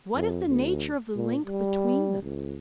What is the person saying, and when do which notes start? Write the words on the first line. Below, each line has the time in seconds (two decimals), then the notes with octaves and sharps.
What is the nature of the link between them?
0.14 F2
0.48 D2
1.15 A#2
1.45 G3
2.23 C#2